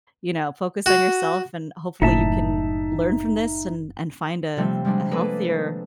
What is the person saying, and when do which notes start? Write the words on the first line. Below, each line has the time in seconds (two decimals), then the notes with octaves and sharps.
you know, focus on yourself, and hopefully you can learn from this, and and find a a healthier
0.86 F#4
2.02 F#1 F#2 A2 D#4 E5 A5
4.57 C3 F3 G3 A3 C4
4.85 F3 G3 G#3 D4
5.11 A#3 G#4 A4 B4 D5